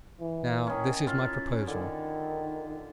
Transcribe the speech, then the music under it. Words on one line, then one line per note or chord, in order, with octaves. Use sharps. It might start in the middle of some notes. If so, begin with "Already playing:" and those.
Now, this is my proposal.
E3
D#3 C#4
C#4 E4 F4
D3 D#3